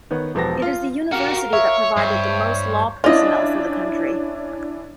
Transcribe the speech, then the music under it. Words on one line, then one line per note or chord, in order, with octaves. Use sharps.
It is the university that provided the most law personnel for the country.
D#3 B3 C#5
E1 F3 B3 G4 A5 A#6
F4
F#4 G4 A#4 F5
C#5 E5
G2 C5 C#5
C#4 D4 E4 F4 D#5